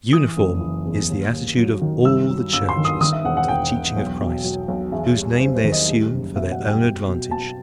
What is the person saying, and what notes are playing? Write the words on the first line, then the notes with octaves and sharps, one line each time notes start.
Uniform is the attitude of all the churches to the teaching of Christ, whose name they assume for their own advantage.
E3 D#6
F#1
E3
E2
D#2
D#2
F#3
D#3
G2 E6
F#3
G1 E6
C6
D#3
D#6
D#3 D#6
E5
E1 F#5
F#5
E1 G5
E1
B1
B2
F#3
B1
E2 E5
G3
G3 C5
C5
D#3
D#5
G3
F#1
B2 E5
F#5
G3
G5
B2
B2
B2 A5